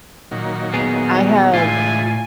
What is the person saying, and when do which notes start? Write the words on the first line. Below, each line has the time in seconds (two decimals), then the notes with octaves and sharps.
I have
0.31 A#2 D#3 F#3
0.74 B3 G#4
1.53 A2 D3 E3 G#3 F4 G#5